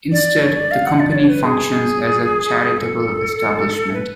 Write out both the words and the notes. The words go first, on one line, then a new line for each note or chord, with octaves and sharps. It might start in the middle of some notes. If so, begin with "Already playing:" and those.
Instead, the Company functions as a charitable establishment.
D5
C#5
D5
F5
F#5
D5
D5
C#5
B4
G#4
A4
B4